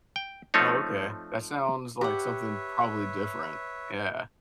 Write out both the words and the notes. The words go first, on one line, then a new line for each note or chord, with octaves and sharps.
Oh, okay. That sounds like something probably different. Yeah.
G5
F3 A3 C4 D#4 C#5
G4 B4 C#5 E5 F#5